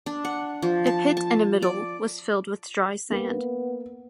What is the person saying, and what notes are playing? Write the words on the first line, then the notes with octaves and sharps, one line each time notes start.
A pit in the middle was filled with dry sand.
D4
F#5
F3
A5
A5
D5
A#3 B3